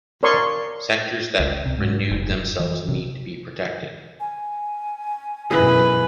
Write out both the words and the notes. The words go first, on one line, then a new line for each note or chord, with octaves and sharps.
Sectors that renewed themselves need to be protected.
A#4 C#5 D5 C6 C#6 D#6
C#2
C3
G#2
F1
F#2
E3
C3
G#5
F#2 B2 E3 G#4 B4